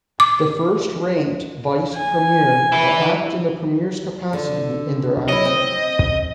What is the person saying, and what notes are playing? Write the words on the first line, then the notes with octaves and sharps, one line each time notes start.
The First-ranked Vice Premier will act in the premier's capacity in their absence.
D6
G#5
E4 B4
D3
F#3 E4 D#5
C4